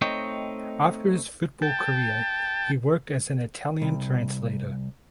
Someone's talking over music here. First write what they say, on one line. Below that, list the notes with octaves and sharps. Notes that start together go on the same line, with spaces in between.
After his football career he worked as an Italian translator.
A3 C4 D#4 C#5 D#5 G5
G5 A5
C2